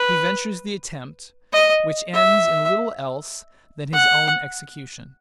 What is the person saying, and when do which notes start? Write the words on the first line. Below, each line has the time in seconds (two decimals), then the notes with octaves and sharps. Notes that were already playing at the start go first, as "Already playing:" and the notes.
He ventures the attempt, which ends in little else than his own execution.
Already playing: B4
1.53 D#5
2.13 E5
3.93 F#5